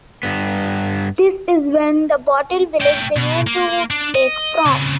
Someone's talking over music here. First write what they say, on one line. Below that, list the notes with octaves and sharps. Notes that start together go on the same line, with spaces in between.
This is when Bottle Village began to take form.
G2 B3
A3 G5
B2
A#3
D4
D#5
C#3 C4